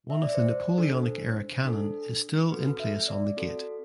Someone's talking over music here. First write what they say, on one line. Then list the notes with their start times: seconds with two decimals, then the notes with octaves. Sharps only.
One of the Napoleonic era canon is still in place on the gate.
0.10 E5
0.23 D5
0.35 C5
0.78 D4 A4
1.65 D4 A4
2.50 C4 F#4 A4 B4
2.80 E5
3.08 D5
3.37 C4 F#4 A4